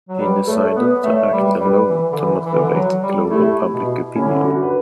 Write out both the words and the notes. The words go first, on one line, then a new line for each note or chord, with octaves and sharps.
He decided to act alone to motivate global public opinion.
F#3
G3 B4 D5
A3 A4 C#5
B3 B4 D5
A3 C#5 E5
G3 B4 D5
G3 B4 D5
E3
D3
E3
E3
D3
E3
F#3
G3
A4
A3 E4 G4
B2
D3 C#4 E4
D4 F#4
B4